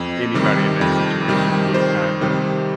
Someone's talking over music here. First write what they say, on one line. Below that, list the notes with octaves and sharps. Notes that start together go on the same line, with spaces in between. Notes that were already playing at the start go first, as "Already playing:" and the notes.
anybody in that situation would kinda
Already playing: F2
C3 D#3 G3
F2
C3 D#3 G3
F2 C5
C3 D#3 G3